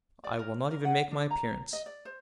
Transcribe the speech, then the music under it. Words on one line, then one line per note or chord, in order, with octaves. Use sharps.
"I will not even make my appearance."
D5
A#4
A#4
F#5
D4
A#5
D#5
D5
C5